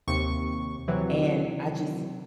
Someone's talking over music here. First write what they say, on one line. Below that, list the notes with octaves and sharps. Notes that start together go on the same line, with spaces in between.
and I just
D#2 C3 C#6
C3 E3 F#3